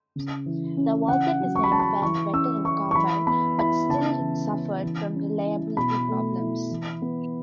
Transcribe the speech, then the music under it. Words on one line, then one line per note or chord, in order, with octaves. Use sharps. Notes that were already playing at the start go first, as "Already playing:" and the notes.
The Walther design fared better in combat but still suffered from reliability problems.
C#3
E3
C#4
C#3 F#5
F#3
C#6
B5
C#4 A5
B5
E3 C#6
C#4 E6
E4 C#6
C#6
E3 B5
B3 B5
E4 B5
C#3 A5
E3
C#4
E3
C#4
E4
B2 B5
A3
E4
E3
B3